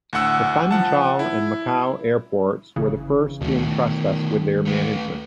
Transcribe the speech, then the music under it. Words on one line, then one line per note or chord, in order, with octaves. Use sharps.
The Funchal and Macau airports were the first to entrust us with their management.
D2 A2 F#5 E6
F3 F#5 A5
E4
G1 C#3 E3
D2 B2 D#3 A3
A3 B4